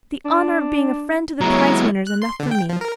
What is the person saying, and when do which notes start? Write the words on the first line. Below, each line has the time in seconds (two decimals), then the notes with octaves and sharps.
The honor of being a friend of the prizewinner is enough for me.
0.25 D4
1.41 F#3 G#3 B3 E4 C#5 A#5
2.07 F#6
2.22 C6
2.40 D3
2.51 G5
2.69 F3
2.81 A#4